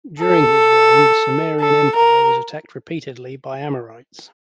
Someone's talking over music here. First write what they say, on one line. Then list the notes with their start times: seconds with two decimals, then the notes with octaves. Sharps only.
During his reign, the Sumerian empire was attacked repeatedly by Amorites.
0.21 A4
1.60 A4
1.96 A#4